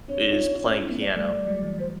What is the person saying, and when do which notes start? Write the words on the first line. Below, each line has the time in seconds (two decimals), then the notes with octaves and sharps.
is playing piano.
0.08 C4 D4 C#5
0.32 D#4 F4
0.55 D#4 F4
0.66 C#4 D#4
0.78 D4 E4
0.89 A#3 C4
1.01 D5
1.17 G3 A3
1.32 G3 A3
1.47 F#3 G#3
1.63 E3
1.78 E3 F#3 C5